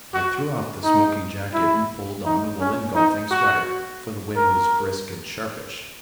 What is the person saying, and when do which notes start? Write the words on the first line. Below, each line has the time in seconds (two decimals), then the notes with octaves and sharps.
I threw off the smoking-jacket and pulled on a woolen golfing sweater, for the wind was brisk and sharpish.
0.14 F#4
0.84 D#4
1.54 E4
2.25 D#4
2.60 C#4
2.95 D#4
3.31 F#4
4.36 A#4